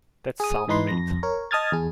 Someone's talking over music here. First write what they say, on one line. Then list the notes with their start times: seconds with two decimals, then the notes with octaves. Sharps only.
That's sound mate.
0.40 G#4 D#6
0.68 G#2 E3 D#4 B4 C6
0.89 F2 A#6
1.23 A#4 C#5
1.51 D#5 A5 D#6 F6 G#6 A6
1.72 E2 G#4